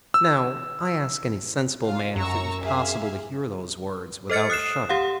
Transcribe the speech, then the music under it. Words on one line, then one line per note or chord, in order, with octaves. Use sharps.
Now I ask any sensible man if it was possible to hear those words without a shudder.
E6
F4 F5
F#2 A#5 C#6 E6
G#4 E5 F5
A4 C5 D#5 F6 A6 C#7
D#6 F#6 C7 E7
G4 F5 F#5